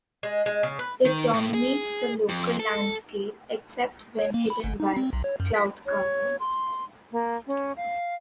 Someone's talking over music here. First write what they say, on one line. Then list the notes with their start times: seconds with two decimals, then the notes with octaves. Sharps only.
It dominates the local landscape except when hidden by cloud cover.
0.23 G#3
0.46 G#3
0.63 C#3
0.79 B4
1.05 D#3
1.33 A2
1.54 G#4
2.29 F2
2.59 A4
4.19 C#5
4.34 A#3
4.50 B5
4.64 G1
4.80 D#4
4.97 C4
5.13 B1
5.24 C#5
5.40 F#2
5.54 B6
5.86 C#5
6.40 C6
7.12 A#3
7.47 C#4
7.77 F5